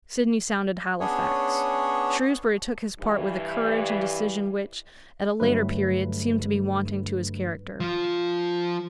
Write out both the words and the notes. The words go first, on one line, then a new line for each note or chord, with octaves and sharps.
Sidney sounded Halifax. Shrewsbury took his part with a courage and decision which, at a later period, seemed to be wanting to his character.
B3 C#4 D4 G#4 C#5
G2 E3
G2 D3 F#3 A3 B4
F3 F4